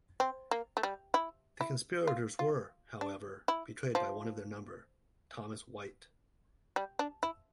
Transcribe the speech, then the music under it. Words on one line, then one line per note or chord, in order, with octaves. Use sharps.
The conspirators were, however, betrayed by one of their number, Thomas Whyte.
C4
A#3
A3
G3
E4
E4
F4
F4
D4
E4
F3
G3
D4
E4